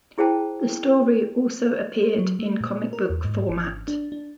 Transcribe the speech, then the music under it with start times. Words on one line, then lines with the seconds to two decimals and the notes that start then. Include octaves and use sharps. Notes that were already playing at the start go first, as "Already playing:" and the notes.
The story also appeared in comic book format.
0.18 E4 G#4 C5 G5 A5
2.02 C5
2.18 F#3
2.39 A3
2.61 A#2
2.93 A#4
3.10 E2
3.24 G#2
3.50 G#1
3.88 D4
4.12 D4